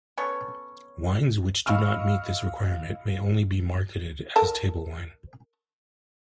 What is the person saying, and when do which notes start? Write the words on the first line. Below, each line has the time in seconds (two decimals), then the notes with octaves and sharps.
Wines which do not meet this requirement may only be marketed as table wine.
0.17 B3 C#4 A4 C#5
1.66 D#5 F5 B5 C#6 E6 F6
4.36 A4 A#4 A5